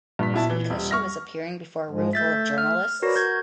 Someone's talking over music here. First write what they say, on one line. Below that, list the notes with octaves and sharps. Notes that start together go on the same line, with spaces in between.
Was it because she was appearing before a roomful of journalists?
G2 A#2 B6
B1 E4 A5
E3
D#1 G3
C#6 F6 A#6
G#2 F3 G#3
A3 E5 G6 A6 B6
F6
F#4 A#4 B4 C#5 D5 A#6
F#4 G6 G#6